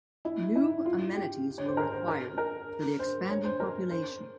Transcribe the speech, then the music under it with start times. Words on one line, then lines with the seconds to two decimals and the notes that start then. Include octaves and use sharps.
New amenities were required for the expanding population.
0.25 E4
0.56 E4
0.86 F4
1.16 G4
1.58 C#5
1.67 C5
1.77 A#4
1.92 C5
2.08 A#4
2.38 A#4
2.99 C5
3.29 C#5
3.45 C5
3.60 A#4
3.91 C5